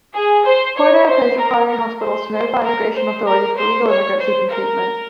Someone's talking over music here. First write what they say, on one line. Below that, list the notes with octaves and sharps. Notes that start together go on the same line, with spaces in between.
Porter opposed requiring hospitals to notify immigration authorities of illegal immigrants seeking treatment.
G#4
C5
C#5
C5
A#4
A#4
C5
C5
A#4
C5
A#4
C5
C#5
C5
A#4